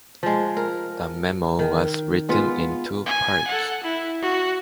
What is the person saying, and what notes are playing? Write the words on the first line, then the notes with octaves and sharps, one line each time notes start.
The memo was written in two parts.
F3 G#3
A#4
D#3
G#3 B3 F4
G#5
A4 F#5
E4
F#4